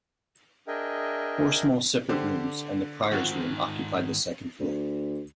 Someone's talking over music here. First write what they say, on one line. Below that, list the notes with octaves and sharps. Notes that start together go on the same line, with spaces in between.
Four small separate rooms and the Prior's room occupied the second floor.
D4 G#4 A#4 D#5 E5 G5
D3 G4 C5
G#2 D#3 F3 C4 F#4
D2